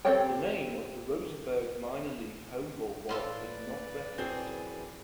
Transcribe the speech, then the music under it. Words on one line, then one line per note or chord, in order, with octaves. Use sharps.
The name of the Roseburg minor league home ballpark is not referenced.
C4 G4 A4 C#5 G5
A2 F4 A4 B4 D5
F#2 E3 C4 G#4